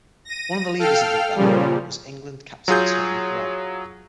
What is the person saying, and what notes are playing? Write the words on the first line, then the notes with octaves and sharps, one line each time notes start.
One of the leaders of the "rebellion" was England captain Tony Greig.
A#6 D#7
A4 F5 G5 F6
A#2 C#3 F3 G3
F#3 F4 G#4 G6